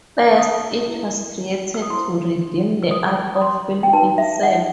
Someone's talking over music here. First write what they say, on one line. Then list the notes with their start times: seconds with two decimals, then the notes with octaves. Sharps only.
First, it was created to redeem the art of film itself.
0.38 D#6
0.88 E4 B4
1.74 E6
1.82 D#6
1.90 E4 A4 C5 C6
2.83 E6
2.91 F#4 B4 D#6
3.35 D#6
3.42 C6
3.83 G5
3.93 D#4 F#4 B4 A5
4.18 E5
4.43 F#5